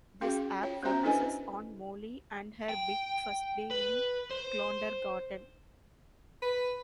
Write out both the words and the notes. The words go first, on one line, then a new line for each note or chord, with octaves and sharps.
This app focuses on Molly and her big first day in Clowndergarten.
C#4 F#4 G#4 F5 G5
F4 C#5 G5
B3 C#4 F#4 C5 E5 A#5
D4 E4 A4 B4 D#5 G#5
G5
B4
C5
B4